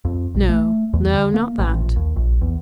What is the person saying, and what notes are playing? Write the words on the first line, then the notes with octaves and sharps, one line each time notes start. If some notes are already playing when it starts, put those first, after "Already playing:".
No, no: not that.
F2
A#1
A3
E2
D3
A#3
A1
A#1
D#2
A#1
E2